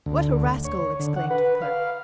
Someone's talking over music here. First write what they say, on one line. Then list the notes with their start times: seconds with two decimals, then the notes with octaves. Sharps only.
"What a rascal!" exclaimed the clerk.
0.06 D2
0.65 C#5
1.00 D3
1.16 F#5
1.31 B4
1.62 F5